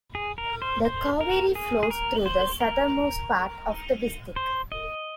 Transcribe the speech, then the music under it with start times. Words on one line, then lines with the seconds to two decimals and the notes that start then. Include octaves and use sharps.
The Kaveri flows through the southernmost part of the District.
0.15 G#4
0.38 A#4
0.62 C5
0.85 C5
1.21 A#4
1.55 G#4
1.83 G#4
1.91 A#4
2.26 C5
2.61 A#4
4.36 C5
4.72 D#5